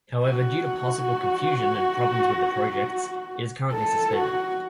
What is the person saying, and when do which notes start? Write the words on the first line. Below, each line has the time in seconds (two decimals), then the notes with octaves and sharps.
However, due to possible confusion and problems with the projects, it is currently suspended.
0.25 F#4
3.73 A4
4.17 F#4